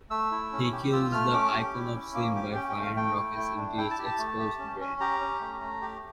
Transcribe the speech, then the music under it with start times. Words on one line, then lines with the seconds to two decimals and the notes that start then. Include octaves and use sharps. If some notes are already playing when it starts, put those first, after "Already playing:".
He kills the Icon of Sin by firing rockets into its exposed brain.
0.10 A3 E6
0.32 E4
0.52 C#4
0.72 G4
0.92 F4 E6
1.12 A3 F6
1.33 C#4 D6
1.53 G4
1.74 E4
1.95 C#4
2.14 A#3 D6
2.35 G4 D6
2.55 C#4 G5
2.69 G5
2.76 A3
2.83 F5
2.96 A3 G5
3.16 E4
3.37 A3
3.57 D4
3.78 E4 G5
3.91 A5
3.99 G4
4.05 A5
4.18 A3
4.39 G4
4.59 C#4
4.80 C#4
5.00 G4 A#5
5.21 C#4
5.41 A3
5.62 A3
5.82 G4